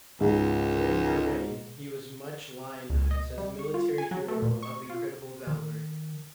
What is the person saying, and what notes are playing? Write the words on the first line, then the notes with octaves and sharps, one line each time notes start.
During her reign he was much lionized as a military hero of incredible valor.
C#2 G#2
C#2
D#5
G3
C#6
F4
G#5
F#3
A3
A#2
C#6
F4
D#3